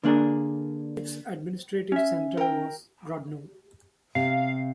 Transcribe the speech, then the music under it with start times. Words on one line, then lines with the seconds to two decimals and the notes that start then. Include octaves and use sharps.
Its administrative centre was Grodno.
0.03 D3 A#3 D4 G#4 A#4
1.92 C#4 E5
2.37 A#4 G5
4.15 C3 F5